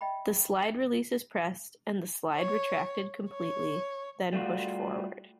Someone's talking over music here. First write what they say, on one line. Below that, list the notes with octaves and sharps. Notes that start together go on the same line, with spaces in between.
The slide release is pressed and the slide retracted completely then pushed forward.
D#5 E5 G5 B5
C#5
C#5
G3 A3 F4 F#4